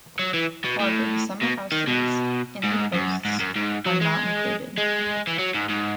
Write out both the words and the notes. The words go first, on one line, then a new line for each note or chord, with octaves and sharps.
However, the summer houses in the coasts are not included.
F#3
E3
B2
A2
B2
D#3
B2
G#2
F#2
G#2
F#2
G#2
F#3
G#3
G#3
E3
F#3
G#2
G#2